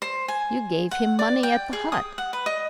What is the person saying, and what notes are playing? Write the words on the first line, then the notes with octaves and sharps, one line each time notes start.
You gave him money at the hut.
C5
G#5
F#5
D5
G5
G#4
D#6
F#5
B4
D#5